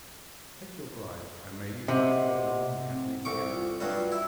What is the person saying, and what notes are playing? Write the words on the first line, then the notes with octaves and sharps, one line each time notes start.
Take your bride, and may you both live long and happily together!'
C3 D#5 F#5 D6
C4
C2 A4 C#6 D6
F4
G2 F#3 G3
E4 E5